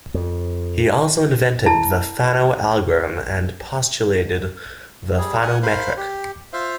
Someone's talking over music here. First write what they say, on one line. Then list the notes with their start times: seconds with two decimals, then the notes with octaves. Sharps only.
He also invented the Fano algorithm and postulated the Fano metric.
0.14 F2
1.66 E4 A5
5.17 G3 G#4
5.42 F#5 G#5
5.63 A#4 C5 F5 B5
5.97 G4
6.53 F4 C5 E5 F5